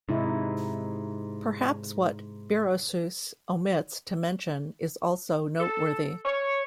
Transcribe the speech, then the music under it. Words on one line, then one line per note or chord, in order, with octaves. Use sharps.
Perhaps what Berossus omits to mention is also noteworthy.
G#2 C3 D#4 E4
A4
C#5